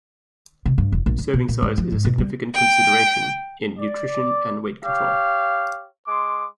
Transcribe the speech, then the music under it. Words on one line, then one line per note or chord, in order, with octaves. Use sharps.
Serving size is a significant consideration in nutrition and weight control.
C3
G2
E1
A#1
D3
B2
A#2
G#2
F3
G#2
B2
G3
G5
D5
G4 C#5 F5
G#3 C6 D6